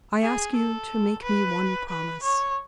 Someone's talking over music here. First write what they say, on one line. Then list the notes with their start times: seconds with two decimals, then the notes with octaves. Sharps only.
I ask you to make me one promise.
0.22 G#4
0.55 A4
1.22 B4
1.89 B4
2.23 C#5